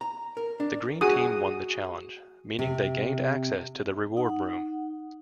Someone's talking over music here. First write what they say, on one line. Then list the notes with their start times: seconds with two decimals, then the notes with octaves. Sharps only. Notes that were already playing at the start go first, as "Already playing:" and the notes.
The green team won the challenge, meaning they gained access to the reward room.
0.01 A#5
0.37 A#4
0.60 D4
1.01 F#4 G#4 D#6
2.59 C3
4.17 D#4 F#5